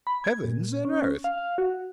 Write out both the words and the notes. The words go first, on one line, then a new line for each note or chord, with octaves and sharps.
Heavens and earth!
B5
G#6
A#2
C#4
F5
F5
F#4